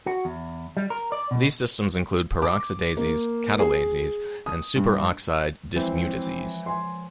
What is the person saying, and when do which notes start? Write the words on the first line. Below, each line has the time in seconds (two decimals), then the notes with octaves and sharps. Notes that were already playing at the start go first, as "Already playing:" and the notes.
These systems include peroxidases, catalases, and superoxide dismutases.
0.06 F#4
0.25 E2
0.77 G3
0.90 A#4
1.12 D5
1.31 B2
2.42 D6
2.97 A#3
3.60 G#4
4.46 D#6
4.76 G2
5.76 E3 F3 G#3 C4
6.66 G#5 C6